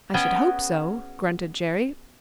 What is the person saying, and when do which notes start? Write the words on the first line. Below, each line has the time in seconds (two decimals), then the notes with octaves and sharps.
"I should hope so," grunted Jerry.
0.14 B3 C#4 F#4 G#4 E5 G5